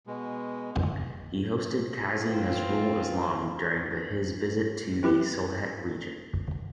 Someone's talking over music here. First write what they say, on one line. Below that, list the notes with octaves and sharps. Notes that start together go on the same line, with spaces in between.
He hosted Kazi Nazrul Islam during the his visit to the Sylhet region.
B2 G#3
E3 C4 F4 B4
C4 E4 G4 B4